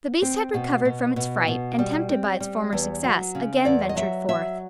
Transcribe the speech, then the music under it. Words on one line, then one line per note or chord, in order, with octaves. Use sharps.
The beast had recovered from its fright, and, tempted by its former success, again ventured forth.
C4
B2
B2
B2
B2
G3
C4
G3
E2
F#3
C#3
E2 D5
D#5
F#3 E5
F#3 E5